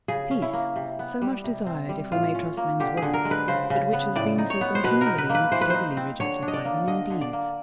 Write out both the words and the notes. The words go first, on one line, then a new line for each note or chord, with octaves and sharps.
Peace so much desired, if we may trust men's words, but which has been so continually and steadily rejected by them in deeds.
C#3 G#4
C#4
E4
A#3
C3
B3
G3
C3
C4
G3
A2 F4
C#4
A#3
D3 G4
G#4
D3
A#4
G#3
B4
C#3 C5
C#3
B3
A2 D5
D#4
C#5
B3
C5
B2 B4
A#4
D#4
B4
A#3
B4
E3 C5
B4
D#4 C5
C4
D3 C#5
D4
D#5
D5
A#3
D3 D#5
D3
D5
A#3